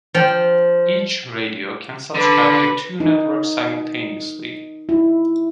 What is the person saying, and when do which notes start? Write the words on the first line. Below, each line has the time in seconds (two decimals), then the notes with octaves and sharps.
Each radio can subscribe to two networks simultaneously.
0.14 F3 G5
2.15 D3 B4
3.00 D#4
4.89 E4